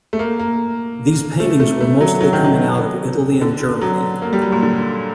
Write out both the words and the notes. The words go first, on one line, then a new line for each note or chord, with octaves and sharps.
These paintings were mostly coming out of Italy and Germany.
A3
A#3
A#3
A3
A3
A3
F#3
F#3
D#3
F#3
D3
F#3
A#3
G3
F#3
A#2
D3